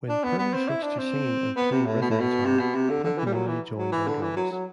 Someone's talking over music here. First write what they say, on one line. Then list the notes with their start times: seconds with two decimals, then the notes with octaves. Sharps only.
When Pirner switched to singing and playing rhythm guitar, Pat Morley joined on drums.
0.09 D4
0.24 B3
0.39 B3
0.54 C4
0.68 E4
0.83 D4
0.98 C4
1.56 B3
1.72 C3
1.86 A2
2.01 B2
2.10 A2
2.20 B2
2.45 C3
2.59 B2
2.75 C3
2.90 D3
3.04 D3
3.18 E3
3.26 G3
3.33 F#3
3.48 E3
3.78 F#3
3.92 E3
4.08 D3
4.22 E3
4.37 F#3
4.51 F#3